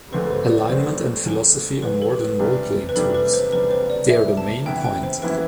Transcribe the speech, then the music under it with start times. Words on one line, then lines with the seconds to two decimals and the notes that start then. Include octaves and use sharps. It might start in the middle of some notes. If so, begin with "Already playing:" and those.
Alignment and philosophy are more than roleplaying tools -- they're the main point.
0.12 D2 D3 A3 C4 B4
0.31 C5
0.50 D5
0.69 D2 D3 A3 C4 C5
1.26 D2 D3 A3 C4
1.82 D2 D3 A3 C4 B4
2.02 A4
2.21 B4
2.39 E2 C3 G3 D4
2.89 B4
2.95 E2 C3 G3 D4 A4
3.14 B4
3.33 C5
3.52 E2 C3 G3 D4 B4
3.71 C5
3.90 D5
4.09 E2 C3 G3 D4 E5
4.37 A5
4.66 F#2 E3 B3 E4 G5
4.84 G5
5.03 C5
5.22 F#2 E3 B3 E4 B4